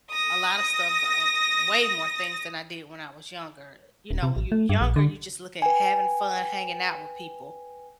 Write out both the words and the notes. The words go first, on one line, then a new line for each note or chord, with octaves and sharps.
a lot of stuff, uh, way more things than I did when I was younger. You know, when you younger, you just look at having fun, hanging out with people,
D#6 A#6
D#1
C3
A1
A3
G2
A#1
D3
B4 G5 G#5